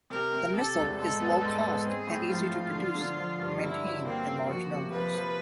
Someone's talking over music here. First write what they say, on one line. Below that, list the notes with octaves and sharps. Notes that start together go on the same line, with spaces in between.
The missile is low cost and easy to produce and maintain in large numbers.
C3 A#4
C3
C3 A4
E1
G#2 A4
B3
G#2
B3
C4 G#4
A2
F3 F4
F3
D3
D3
F3
G2
D3 E4
F#3
A#3 C4
A#3
F3 F#4
C3
F3 B4
F3